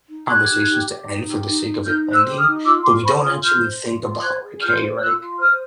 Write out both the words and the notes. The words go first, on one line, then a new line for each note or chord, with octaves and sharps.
conversations to end for the sake of it ending, but we don't actually think about, like hey, like,
D#4
G4 F#6 G#6
D#4
G4
G4
D#4
G4
D#4
D#4
D#4 F6 G6
C5
E6 F#6
G4
D#6 F6
D#4
F4 D6 E6
F4 C6 D6
C5 B5 C#6
F4 D#6 F6
F4 F6 G6
C5
F4
F4
C5 F#6 G#6
G#4
F4 F6 G6
C5
F4 E6 F#6
F4
C5 D#6 F6